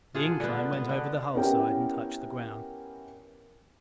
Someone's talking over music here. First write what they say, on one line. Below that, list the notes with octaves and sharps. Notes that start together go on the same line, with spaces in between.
The incline went over the hull side and touched the ground.
F4 G#4 A4 F#5
D3 B3
B3
D3
B3 C#4 E4 G4 A#4 G5